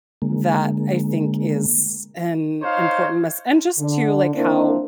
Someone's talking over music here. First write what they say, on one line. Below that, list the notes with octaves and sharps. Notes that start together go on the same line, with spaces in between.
that, I think, is an important mess And just to like, how
D3 G#3 A#3
D#4 C5 C#5 F5
D3
A#3 C4 D4 E4 A#4